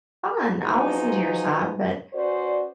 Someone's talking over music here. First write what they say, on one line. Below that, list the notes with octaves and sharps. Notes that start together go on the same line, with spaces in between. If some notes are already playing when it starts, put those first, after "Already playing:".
fine, I'll listen to your side, but
F3 F#3 G#3 D#4 B4
C#4 F#4 B4 C5 D5